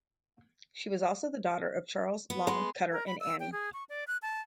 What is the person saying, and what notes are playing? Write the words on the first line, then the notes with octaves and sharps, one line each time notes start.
She was also the daughter of Charles Long Cutter and Annie.
B3
G#3 B3 C6
A#4
B5
E6
G5
G#4
C#6
D5
F#6
A5